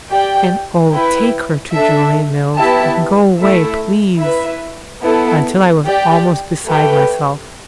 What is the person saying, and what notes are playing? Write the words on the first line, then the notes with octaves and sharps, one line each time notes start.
And oh, take her to Julia Mills, and go away, please! until I was almost beside myself.
G4 D5 G5
E4 B4 G5
D4 A4 E5
B3 E4 G4 E5 A5
A3 E4 A4 E5
E4 B4 E5
B3 E4 A4
G4 D5 G5
A3 G4 B4 G5